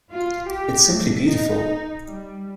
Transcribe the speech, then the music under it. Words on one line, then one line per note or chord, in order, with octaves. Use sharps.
It’s simply beautiful.
F4
G4
A3
D#4
G3